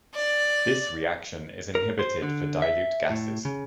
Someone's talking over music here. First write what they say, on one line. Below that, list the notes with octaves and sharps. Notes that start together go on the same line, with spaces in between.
This reaction is inhibited for dilute gases.
D5
A#4
C5
D3
E5
A2
C#3